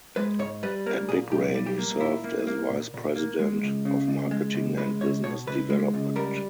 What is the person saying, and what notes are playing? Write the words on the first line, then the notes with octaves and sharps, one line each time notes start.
At Big Rain, he served as Vice President of Marketing and Business Development.
G#3 B4
G#2 C#5
G3 B4
A#3 A#4
A#2 G#4
B1 G4
G3
G4
A#3
A#2 E4
A#3
A#3
A#2
A#2
A#3
G#3
C#2
C#3
C#2
G#3
C#2
G#3 B4
C#2 C#5
B2 C#5
C#2 B4
G#3
C#2
G3 A#4